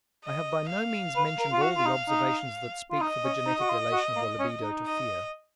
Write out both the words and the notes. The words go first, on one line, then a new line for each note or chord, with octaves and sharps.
I have by no means mentioned all the observations that speak for the genetic relation of the libido to fear.
D#5
F5
B4
A#4
F4
F#4
F4
D#4
D#4
F4
D#4 D#5
C#4
D#4
F#4
F4
F#4
A#3
C#4
D#4
D#5